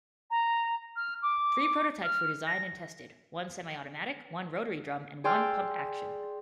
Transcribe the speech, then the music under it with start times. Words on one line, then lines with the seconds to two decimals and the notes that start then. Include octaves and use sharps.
Three prototypes were designed and tested: one semi-automatic, one rotary-drum, and one pump-action.
0.30 A#5
0.96 F6
1.22 D6
2.03 F6
2.46 A#6
5.24 G#4 D5 G5 C6 E6 F6